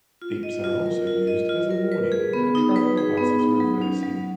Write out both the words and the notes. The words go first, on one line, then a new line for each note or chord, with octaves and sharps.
Beeps are also used as a warning when a truck or bus is reversing.
F4
D#5
F4
A#4
F4
D#5
F4
A#4
B4
G#4
B3
D#4
B4
G#4
B3
D#4
F#3
C#4
F#3